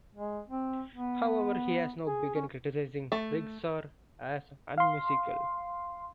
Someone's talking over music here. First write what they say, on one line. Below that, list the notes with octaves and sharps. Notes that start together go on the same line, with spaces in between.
However, he has now begun criticizing rigsar as unmusical.
G#3
C4
B3
G#4
C#4
A3
F5 C6